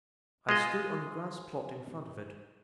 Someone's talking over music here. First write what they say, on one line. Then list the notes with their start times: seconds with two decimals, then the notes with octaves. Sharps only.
I stood on the grass-plot in front of it.
0.49 G#3 F4 D#5